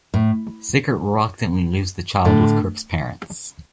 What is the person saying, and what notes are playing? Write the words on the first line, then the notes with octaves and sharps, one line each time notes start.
Sickert reluctantly leaves the child with Crook's parents.
A2
A2 D3